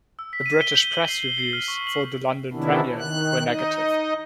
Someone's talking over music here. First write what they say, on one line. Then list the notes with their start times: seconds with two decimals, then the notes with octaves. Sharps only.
The British press reviews for the London premiere were negative.
0.19 E6
0.33 B6
0.46 D#7
0.61 G7
0.74 G6
0.91 F#7
1.08 C7
1.23 G7
1.38 C7
1.53 F6
1.68 C#6
1.87 F#7
2.53 C3 D#3 B3 C#4 D4 E4
2.99 D#3 F#6
3.47 D#4 D#5